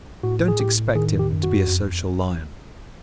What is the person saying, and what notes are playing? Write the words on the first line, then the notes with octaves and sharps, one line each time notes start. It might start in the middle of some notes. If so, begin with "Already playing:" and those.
Don't expect him to be a social lion.
A2 F#4
G#4
A2 G4
D#3 G#4
G4
F#2
F#4
F2